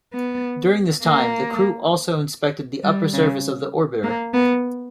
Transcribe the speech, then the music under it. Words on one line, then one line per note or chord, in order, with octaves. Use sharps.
During this time, the crew also inspected the upper surface of the orbiter.
B3
A#3
G3
C#3
A#3
B3